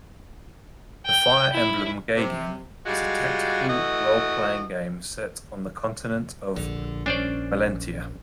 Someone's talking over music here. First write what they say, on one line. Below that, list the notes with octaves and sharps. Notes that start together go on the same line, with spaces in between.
"Fire Emblem Gaiden" is a tactical role-playing game set on the continent of Valentia.
G5
E4
C3
G3 G#3 F4 F#4
E3 A3 F#4 D#5
A#1 D3
C#4 D4 C5 D5